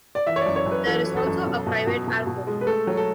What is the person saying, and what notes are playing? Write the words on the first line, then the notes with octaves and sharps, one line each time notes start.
There is also a private airport.
D5
E3 E5
C#5
D5
F#2
C#5
F#2
B4
E3 A4
E3
A4
F#2
B2
B2
B2
B2
B2
G#3
B4
A3 A4
F#3
A4